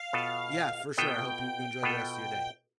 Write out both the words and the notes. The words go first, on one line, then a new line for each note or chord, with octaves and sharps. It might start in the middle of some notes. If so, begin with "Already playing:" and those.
Yeah, for sure. I hope you enjoy the rest of your day.
Already playing: F5
B2 B3 F4 A4
B2 B3 F4 A4 G5
B2 B3 F4 A4